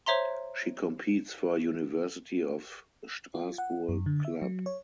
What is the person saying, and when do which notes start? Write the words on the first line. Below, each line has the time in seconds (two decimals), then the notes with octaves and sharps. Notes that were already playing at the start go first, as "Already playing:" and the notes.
She competes for University of Strasbourg club.
0.06 C5 C#5 E5 A#5 C6
3.35 F4
3.58 F#5
3.89 F#2
4.06 D3
4.25 E5
4.42 F#3
4.66 C#5